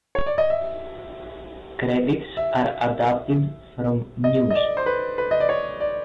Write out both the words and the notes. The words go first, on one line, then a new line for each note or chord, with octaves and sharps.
Credits are adapted from Muze.
C#5
D5
D#5
E5
E5
D#5
D#5
D5
C5
B4
B4
D#5
D5
C#5
D5